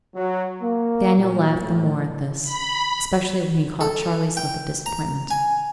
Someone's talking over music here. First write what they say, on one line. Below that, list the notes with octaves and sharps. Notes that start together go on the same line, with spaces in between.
Daniel laughed the more at this, especially when he caught Charley's look of disappointment.
F#3
A#3
A#2
A2
B5
A4
G5
A#5
G#5